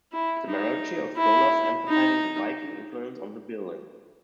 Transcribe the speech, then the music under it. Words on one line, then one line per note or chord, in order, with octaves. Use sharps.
The majority of scholars emphasise the Viking influence on the birlinn.
E4
D#4
E4
D#4